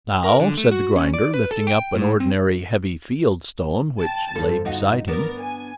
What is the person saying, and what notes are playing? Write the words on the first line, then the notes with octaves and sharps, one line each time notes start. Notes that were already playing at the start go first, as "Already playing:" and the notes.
"Now," said the grinder, lifting up an ordinary heavy field-stone, which lay beside him.
A#4
D3
A3
F#4
C#4
D5
B4
A4
G5
A2
C4
G5 A5
G1 D3 F3 A4
D#4 F4 F#4
B3 D4 A#4
G#5